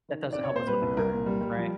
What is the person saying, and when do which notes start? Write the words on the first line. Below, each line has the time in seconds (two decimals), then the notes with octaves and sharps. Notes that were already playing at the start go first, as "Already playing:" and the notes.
that doesn't help us with the current, right?
0.09 D#3
0.23 D#3
0.33 D5
0.38 C4
0.44 C#5
0.53 A#2 C5
0.67 G3 B4
0.82 C2
0.97 C2 A#4
1.12 A#2
1.26 G3
1.41 G3
1.56 F3